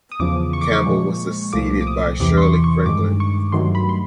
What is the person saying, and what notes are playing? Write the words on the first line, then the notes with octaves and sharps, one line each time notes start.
Campbell was succeeded by Shirley Franklin.
D#6
E2 C#3 F3 D6
C#6
D6
C#6
A#2 F3 G#3
C2 A#2 F3 A3 D6
D6
D#6
E2 C3 E3 D6
C6
C#6
C#6
G2 D#3 G#3 D6
C#6
G2 D#3 F#3 A3 C6
B5
C6